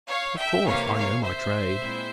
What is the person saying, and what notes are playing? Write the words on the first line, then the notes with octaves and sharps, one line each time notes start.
Of course I know my trade.
C#5 F5
E5 G5
C3 E3 A#3 C#5 F5
C#5 F5
C5 E5
A#2 G#3 C4 E4